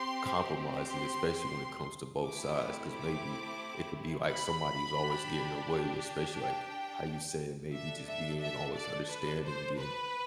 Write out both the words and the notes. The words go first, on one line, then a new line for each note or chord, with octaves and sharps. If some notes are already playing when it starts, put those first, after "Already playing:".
compromises, especially when it comes to both sides, 'cause maybe it could be like somebody's always getting their way, especially, like, how you said maybe just being always understanding, getting
Already playing: C4 G4 C6
C6
A3 C4 E4 G4 D6
D6
B5
D4 G4
G5
D4 A4 E5
E5
E5
D5
B4
C5
B4